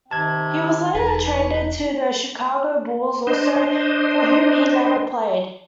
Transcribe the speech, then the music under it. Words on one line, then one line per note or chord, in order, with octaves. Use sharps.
He was later traded to the Chicago Bulls, also for whom he never played.
C3 D#3 A5 G#6
E1 D#4 B4
D4 C5 D#5